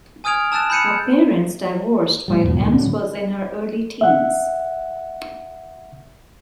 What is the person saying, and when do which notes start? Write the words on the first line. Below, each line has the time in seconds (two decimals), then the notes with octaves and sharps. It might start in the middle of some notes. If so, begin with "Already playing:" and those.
Her parents divorced while Emms was in her early teens.
0.24 G#5 D#6 F6 G#6 D7 F7
0.52 A5 E6 F#6 A6 E7
0.70 B5 F#6 G6 C#7 D#7
2.28 A2 G3
2.44 E2 G#2 B2 F#3
2.59 D2 A#2 D#3 G#3
2.71 A2 D3 F#3
4.01 E5 F#5